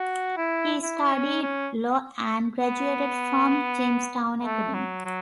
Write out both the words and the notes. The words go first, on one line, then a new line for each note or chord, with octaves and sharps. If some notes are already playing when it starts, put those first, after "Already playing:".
He studied law and graduated from Jamestown Academy.
Already playing: F#4
E4
E4
C#4
C#4
B3
A3
F#3
F#3